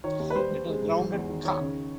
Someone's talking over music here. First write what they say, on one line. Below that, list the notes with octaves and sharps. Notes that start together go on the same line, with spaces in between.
It was grounded ca.
D#3 C#5
D#2
B4
G3 C5
G3
G#3
G#2
E3
E2
D#3
D#3 C#5
C#3